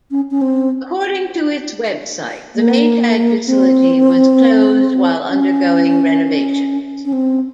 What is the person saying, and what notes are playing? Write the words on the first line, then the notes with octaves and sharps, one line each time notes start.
According to its website, the Maytag facility was closed while undergoing renovations.
C#4
C#4
C4
A#3
C4
C#4
C#4
C4